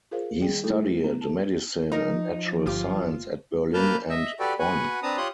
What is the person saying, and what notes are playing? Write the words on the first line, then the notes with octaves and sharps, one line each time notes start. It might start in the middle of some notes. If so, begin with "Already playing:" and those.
He studied medicine and natural science at Berlin and Bonn.
F4 G#4 A#4 C5 F5
D#3 G3 G#4 G5
G3 A3 D#4 E4 F#4 A4
B3 B4
A4 A5
F3 D#4 A#4
G1 F4 G4 D6
A#3 B4 A5 F6 G6
D#5 E5
F#4 G4 A4 B4 D5 G5
F#4 B4 F#5 G#5
C4 D4 B4 A5 A#5 D#6
F4 G4 C#5 C6 D#6 F#6